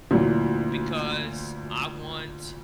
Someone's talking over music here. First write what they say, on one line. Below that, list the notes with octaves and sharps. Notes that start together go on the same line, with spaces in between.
because I want"
D2 A#2 E3 F#3